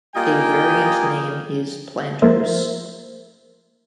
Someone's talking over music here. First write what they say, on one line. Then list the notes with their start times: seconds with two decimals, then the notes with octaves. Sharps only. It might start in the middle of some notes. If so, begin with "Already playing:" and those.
A variant name is "Planters".
0.16 G3 A#3 F4 D#5 G5 G#5
2.22 F3 A3 A#3 A#4 C5 E5